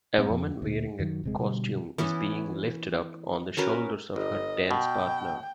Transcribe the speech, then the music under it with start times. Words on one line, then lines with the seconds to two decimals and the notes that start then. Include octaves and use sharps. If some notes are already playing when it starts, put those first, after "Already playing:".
A woman wearing a costume is being lifted up on the shoulders of her dance partner.
0.18 A2 A3 C4
0.30 F2 F3
0.62 D2 A#2
0.99 F#2 D#3 E3 F#3
1.24 D#1 C3 G#3
1.38 B2 D3 F#3 G3
1.98 E3 B3 C#4 E4
3.57 C#4 F#4 A#4 B4
4.16 G1 D#5
4.71 B2 G5